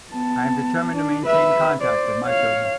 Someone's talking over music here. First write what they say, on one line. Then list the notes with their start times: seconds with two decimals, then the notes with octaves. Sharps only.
I am determined to maintain contact with my children.
0.12 B3 A5
0.93 D4
1.26 B4 E5
1.82 C5 D5
2.24 C#5 F5